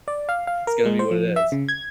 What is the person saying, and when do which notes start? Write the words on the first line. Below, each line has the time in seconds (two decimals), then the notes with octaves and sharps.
it's gonna be what it is,"
0.08 D5
0.29 F5
0.47 F5
0.67 A#4
0.85 G#3
0.99 C5
1.11 F3
1.36 E5
1.52 C#3
1.69 G#6